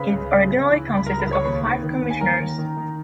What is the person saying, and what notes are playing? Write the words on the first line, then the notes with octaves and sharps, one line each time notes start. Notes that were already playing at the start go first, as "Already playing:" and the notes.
It originally consisted of five commissioners.
Already playing: C#3 B4 B5
C#2
C#3
C#2
E3
C#2
B5
C#2 A#4 A#5
B4 B5
C#2
C#5 C#6
D#2 B4 B5
D#3
D#3
D#2
G#5
D#2 A#4 A#5
D#3
D#3
D#3